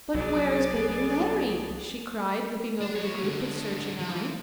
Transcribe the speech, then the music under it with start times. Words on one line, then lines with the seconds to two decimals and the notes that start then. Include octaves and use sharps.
"But where is Baby Larry?" she cried, looking over the group with searching eye.
0.14 C2 F#3 B3 G#4 D5
2.81 D4
2.95 D#2 C#5
3.23 D3 G#3
3.99 E3